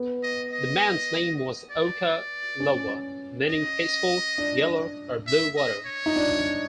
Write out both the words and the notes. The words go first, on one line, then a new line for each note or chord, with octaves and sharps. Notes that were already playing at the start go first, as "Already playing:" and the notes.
The man's name was "Oka-laua," meaning peaceful, yellow, or blue water.
Already playing: B3
D#5
D#5
D5
C#4
D#5
D4
E5
D#5
C#5
D#4
D4